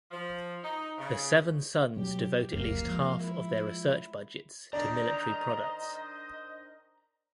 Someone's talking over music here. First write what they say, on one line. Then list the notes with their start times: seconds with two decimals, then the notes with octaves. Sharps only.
The Seven Sons devote at least half of their research budgets to military products.
0.11 F3
0.63 D#4
0.98 C#3
1.96 B2 F#3 G4
2.53 F1 C#2 F#2 A#3 F5
2.85 F3 G#3
3.21 E4
4.73 D#3 D4 C5 D5 D#5 A#5